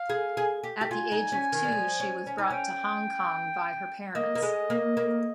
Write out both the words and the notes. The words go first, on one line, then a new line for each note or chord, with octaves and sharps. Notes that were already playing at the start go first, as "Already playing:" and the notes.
At the age of two, she was brought to Hong Kong by her parents.
Already playing: F5
G#4
G#4
G4
G4
F4 G#5
D#4
C#4
D#3
G3
F3
C#4
C#4
D#4
G#5
C#4 G5
A#3 D#5
A#3
G#3
A#3
A#3